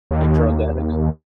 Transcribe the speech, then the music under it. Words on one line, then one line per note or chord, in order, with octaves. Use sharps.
Like, drug addicts,
D#2